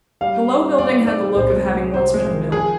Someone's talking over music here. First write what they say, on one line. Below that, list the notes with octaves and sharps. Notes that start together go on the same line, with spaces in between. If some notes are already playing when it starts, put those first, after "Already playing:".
The low building had the look of having once been a mill.
G3 F5
C4
G3
C4 D5
D#4
D5
G3
C2 C5
G#3
G#3
C3 C5
G#3
D#3
F3 G#4